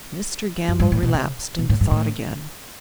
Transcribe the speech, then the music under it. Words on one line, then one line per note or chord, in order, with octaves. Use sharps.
Mr. Gamble relapsed into thought again.
F#2
G2
A2
B2
C#3
B2
A2
G2
A2